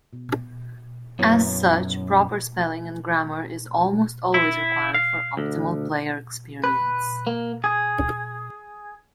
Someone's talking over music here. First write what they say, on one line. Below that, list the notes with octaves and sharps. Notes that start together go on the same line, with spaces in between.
As such, proper spelling and grammar is almost always required for optimal player experience.
B2
F#2 B3 E4 C#5
E4
F5
D2
B4
A#3
G#4